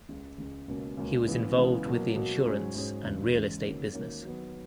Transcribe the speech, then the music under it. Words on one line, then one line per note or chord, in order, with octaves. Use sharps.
He was involved with the insurance and real estate business.
C#2 C#3 G#3
C#2 C#3 G#3
C#2 B2 A#3 C#4
C#2 B2 A#3 C#4
C#3 E3 G#3 B3
C#3 E3 G#3 B3
B2 F#3 A#3
B2 F#3 A#3
G#2 F#3 C#4 G#4 C#5
G#2 F#3 C#4 G#4 C#5
E2 C#3 G#3 C#4
E2 C#3 G#3 C#4
D#3 A#3 C#4 F#4 C#5
D#3 A#3 C#4 F#4 C#5
D#3 F#3 B3